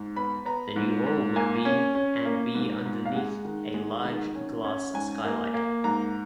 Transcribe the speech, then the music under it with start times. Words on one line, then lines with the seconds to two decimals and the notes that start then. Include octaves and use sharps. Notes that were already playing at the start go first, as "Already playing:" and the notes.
The new hall would be and be underneath a large glass skylight.
Already playing: G#2
0.16 B3 B5
0.46 B3 A#5
0.76 G#2
1.06 G#2
1.36 A#3 G#5
1.65 C#4
1.95 C#4
2.25 A#3
2.55 G#2
2.86 G#2
3.06 F5
3.15 G#3 F#5
3.45 D#3
3.74 G#3
4.05 D#3
4.35 C#4
4.64 C#4
4.94 G#2 G#5
5.25 A#3
5.54 A#3
5.84 G#2 A#5